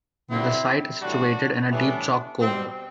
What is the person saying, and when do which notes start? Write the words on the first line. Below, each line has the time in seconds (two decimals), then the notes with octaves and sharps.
The site is situated in a deep chalk combe.
0.30 G2 D3 F#3 C4 E4
1.00 A2 E3 G3 D4 F#4
1.71 A2 E3 G3 B3 D4
2.41 B2 G3 C4